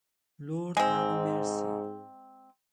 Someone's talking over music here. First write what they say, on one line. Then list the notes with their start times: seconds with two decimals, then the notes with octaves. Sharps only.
Lord, have mercy.
0.77 G#2 G#3 C4